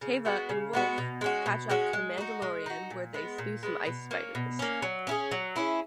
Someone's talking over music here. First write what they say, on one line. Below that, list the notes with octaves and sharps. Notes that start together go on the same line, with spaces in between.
Teva and Wolf catch up to the Mandalorian where they slew some ice spiders.
C#3
G#3 B3 F#4
C#3
G#3 B3 F#4
B2
G#3 C#4 F#4
B2
G#3 C#4 F#4
G#3
D#4 F#4
G#3
D#4 F#4
A#2
G#3 B3
A#2
G#3 B3
B2
A#3 C#4
B2
A#3 C#4
F#3
C#4 E4 G#4
F#3
C#4 E4 G#4